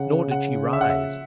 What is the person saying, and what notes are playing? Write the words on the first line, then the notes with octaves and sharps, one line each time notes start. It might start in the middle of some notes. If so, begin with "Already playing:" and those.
Nor did she rise.
Already playing: C#3 F#5
F#5
E5
F#5
E5